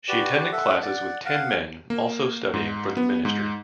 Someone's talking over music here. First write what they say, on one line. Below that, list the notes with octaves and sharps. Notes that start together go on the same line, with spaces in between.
She attended classes with ten men also studying for the ministry.
F#4 G4 B4 D5
A4 E5 F#5
D5 F#5
F5 F#5
A#3
G#2
B3
G#2